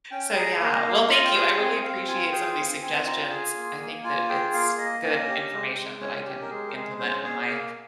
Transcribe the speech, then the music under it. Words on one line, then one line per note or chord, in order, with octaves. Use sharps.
So, yeah. Well, thank you. I really appreciate some of these suggestions. I think that it's good information that I can implement in my
C#4 G5
G#4 A#5
A#3 F5
D#5
A#3 F5
F5
F4 D#5
G5
G#4 F5
C4 G#5
C4 F5
F4 G#5
G#4 G5
C4 F5
C4 G#5
F4 A#5
G#4 G#5
A#3
A#3
F4 G#5
G#4 G5
A#3 F5
A#3 D#5
C#4
G4
G#3
G#3
C#4 C#5
G4
A#4
G#3 G#4
A#4
G#3 G#4
C#4 C5
G#4 C#5
A#3 F5